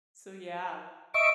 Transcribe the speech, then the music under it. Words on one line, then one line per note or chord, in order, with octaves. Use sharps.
So, yeah.
D#5 E5 C#6 D7